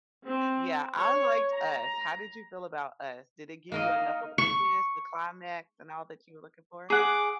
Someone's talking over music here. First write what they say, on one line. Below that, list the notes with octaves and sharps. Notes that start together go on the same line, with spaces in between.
Yeah, I liked Us, how did you feel about Us? Did it give you enough of a twist, the climax, and all that you were looking for?
C4
C#5
A#5
A#3 D#4 A#4 D#5
C#6
G#4 F#5 D6